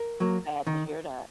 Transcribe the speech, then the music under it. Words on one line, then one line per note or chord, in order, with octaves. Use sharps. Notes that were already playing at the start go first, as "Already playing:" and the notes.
Sad to hear that.
Already playing: A#4
F#3 A#3
D#3